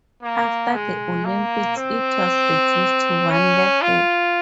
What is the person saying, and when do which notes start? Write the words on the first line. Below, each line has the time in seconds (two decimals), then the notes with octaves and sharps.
After the Olympics, it was reduced to one level.
0.23 A#3
0.74 G#3
1.25 A#3
1.77 C4
3.31 C#4
3.82 F4